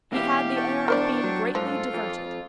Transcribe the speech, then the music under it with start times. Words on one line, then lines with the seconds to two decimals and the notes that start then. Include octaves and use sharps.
He had the air of being greatly diverted.
0.12 B2 E3 G4 F5
0.56 G5 A5 C#6
0.88 D4 A#4 C5 D5
1.24 F#3
1.55 G#2 F3 F4 A4
1.94 F2